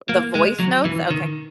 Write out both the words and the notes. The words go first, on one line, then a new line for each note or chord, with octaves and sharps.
the voice notes? Okay.
A#3
G#3
F#3
E3
D#3